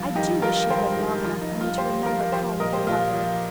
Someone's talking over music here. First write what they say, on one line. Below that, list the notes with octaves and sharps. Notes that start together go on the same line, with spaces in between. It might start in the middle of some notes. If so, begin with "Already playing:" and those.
I do wish she'd lived long enough for me to remember calling her mother.
Already playing: G2 F3
D#3 D#4 G4
G2 F4 A#4
G2 G4 C5
D#3
F3 F4
D#4
G2
F4
G2 G4 C5
F3 F4 A#4
F3 G4 C5
A#2 A#4 D#5
G4 C5
A#2 F4
F3